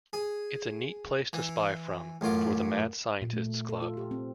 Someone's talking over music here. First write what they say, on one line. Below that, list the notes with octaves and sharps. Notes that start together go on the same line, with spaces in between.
"It's a neat place to spy from" for the Mad Scientists Club.
G#4
E3
A1 F#2 F4 D6
A#2
A3
A#2
A4
F4
G4
C4